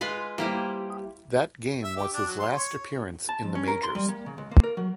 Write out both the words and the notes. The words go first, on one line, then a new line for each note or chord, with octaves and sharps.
That game was his last appearance in the majors.
G#3 F4 B4 F5 B5
G3 A#3 E4 C5
E5
G4
D4
F#3
C6
C#5
A5
F2
C#4
A#4
C6
G3
A#3
C#3
C#2
A#3
A#4
F#3